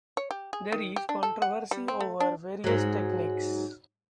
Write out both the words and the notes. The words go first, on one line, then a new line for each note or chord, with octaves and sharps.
There is controversy over various techniques.
C#5
G4
G#4
D#3
G4
D4
A4
F#5
G3
C4
A3
D4
G#2 F#3